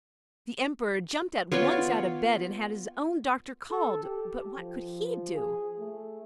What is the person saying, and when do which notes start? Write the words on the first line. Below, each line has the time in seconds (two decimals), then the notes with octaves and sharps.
The Emperor jumped at once out of bed, and had his own doctor called; but what could he do?
1.52 B3 F4 C#5 D5
3.71 A4
4.04 G4
4.58 F3
5.35 G#4
5.79 A3